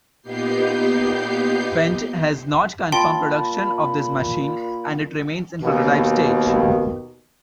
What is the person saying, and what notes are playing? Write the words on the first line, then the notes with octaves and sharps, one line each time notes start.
Fendt has not confirmed production of this machine, and it remains in prototype stage.
A#2 B3 D#4 G4 G6 C7
A#2 G5 A5 B5 C6
D#2 B2